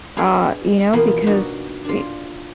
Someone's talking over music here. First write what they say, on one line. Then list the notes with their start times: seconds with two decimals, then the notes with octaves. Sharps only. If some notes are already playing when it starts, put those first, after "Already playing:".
uh, you know, because eh
0.17 B3 D4 G#4
0.93 B2 E3 F3 A#3 B3
1.26 D4 D#4 F#4 D#5
1.84 D4 F4